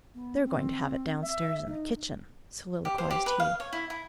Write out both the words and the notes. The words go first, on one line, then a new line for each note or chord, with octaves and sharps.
"They're going to have it downstairs in the kitchen," soliloquized he.
B3
C4
E5
D#4
G4
C5
G4
B4
F5
C#5
E4
E4